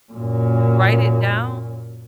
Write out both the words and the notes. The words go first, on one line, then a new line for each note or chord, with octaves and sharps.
write it down,
F#2 A#2